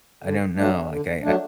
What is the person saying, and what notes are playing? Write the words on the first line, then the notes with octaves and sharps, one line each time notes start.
I don't know, like, I
D3
F#3 A3 D4
D3
F#3 A3 D4